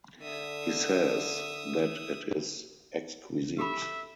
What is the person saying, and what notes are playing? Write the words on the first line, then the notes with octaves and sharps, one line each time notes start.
He says that it is exquisite.
D3 E5 D#6
G4 A4 E5 B5